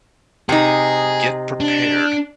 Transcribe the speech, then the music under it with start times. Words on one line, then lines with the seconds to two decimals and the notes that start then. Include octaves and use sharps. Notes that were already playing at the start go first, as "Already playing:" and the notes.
get prepared
0.49 C3 D#4 G#4
1.60 D4